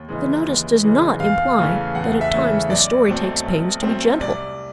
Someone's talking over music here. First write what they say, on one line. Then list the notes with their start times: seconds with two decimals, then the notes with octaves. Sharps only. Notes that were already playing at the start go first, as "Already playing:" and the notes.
The notice does not imply that at times the story takes pains to be gentle.
Already playing: D#2
0.09 C#3 E3 G#3
0.46 D#2
0.83 C#3 E3 G#3
1.20 E2 F5
1.58 C#3 E3 A3 C#4
1.95 E2 F#5
2.21 E5
2.33 C#3 E3 A3 C#4
2.70 B1 D5
3.08 B2 F#3 A3 C4
3.46 B1
3.83 B2 F#3 A3 C4
4.20 C2 D5